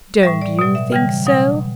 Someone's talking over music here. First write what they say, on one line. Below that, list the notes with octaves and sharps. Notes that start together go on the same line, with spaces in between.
'Don't you think so?
A2 G3 E5
D5
B2 F#3
E5
C#3 E3 G3 G5
B2 F#3 F#5